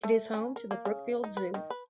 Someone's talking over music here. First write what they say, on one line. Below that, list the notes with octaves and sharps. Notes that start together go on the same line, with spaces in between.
It is home to the Brookfield Zoo.
A3
C#4
A#4
A#3
C#3
D#4
B4
D#3
B4